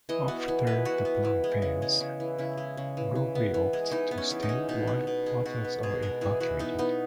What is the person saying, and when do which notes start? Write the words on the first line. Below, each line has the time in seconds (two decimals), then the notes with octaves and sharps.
After the plan fails, Lowery opts to stay while others are evacuated.
0.09 E3 D#5
0.28 B3 F#4
0.48 E3
0.67 G#3 B4
0.85 E3 F#4
1.05 B3
1.25 E3
1.44 G#3
1.62 C#3
1.82 G#3
2.00 C#3
2.20 E3
2.38 C#3 E4
2.58 G#3
2.77 C#3
2.97 E3
3.15 E3
3.35 B3
3.54 E3
3.73 G#3
3.91 E3 D#4
4.11 B3
4.18 C#4
4.31 E3
4.42 D#4
4.49 G#3
4.69 B2 D#4
4.87 B3
5.07 B2
5.26 G#3
5.46 B2 F#4
5.65 B3
5.83 B2 G#4
6.02 G#3 A#4
6.21 E3 G#4
6.40 E3 F#4
6.59 B3 D#4
6.79 B3 D#4